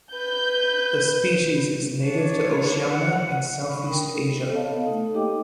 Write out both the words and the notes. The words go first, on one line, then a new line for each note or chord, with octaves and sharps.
The species is native to Oceania and Southeast Asia.
B4 G6
D4 C#5
F#5
B5 C#6
D#4 A#4 G5
A4
B3 A4 C#5 D#5 F5 A5
A3 D#4 A4
A#3 D#4 G4 D#5 G5 D6